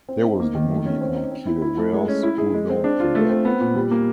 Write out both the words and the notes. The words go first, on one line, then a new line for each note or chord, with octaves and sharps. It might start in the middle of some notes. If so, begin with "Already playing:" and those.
There was the movie on killer whales who don’t forget.
C4
D#4
A#3
D#3
A3
C#4
C4
D#4
C4
E4
E4
A3
G#3
C#4
E4
G#4
G#3
C4
D4
F4
A3
C4
B3
A#2
G3
A#3